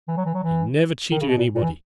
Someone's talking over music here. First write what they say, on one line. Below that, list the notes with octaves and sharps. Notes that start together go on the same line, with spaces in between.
He never cheated anybody.
E3
F#3
E3
F#3
E3
D#3
C#3
B2
A#2
A#2
E3